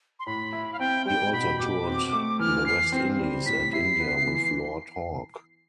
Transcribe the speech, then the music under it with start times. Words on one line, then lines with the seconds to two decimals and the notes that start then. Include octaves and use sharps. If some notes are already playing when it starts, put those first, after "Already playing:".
He also toured the West Indies and India with Lord Hawke.
0.19 C6
0.26 A2 B5
0.53 E4
0.73 F5
0.79 C4 G5
1.05 G3 G5
1.33 B2 B5
1.59 B2 D6
1.87 C4
2.13 A3
2.39 E3 F6
2.66 E3 C7
2.92 C4
3.19 G3
3.46 A2 B6
3.73 E4 C7
4.00 B3
4.27 E3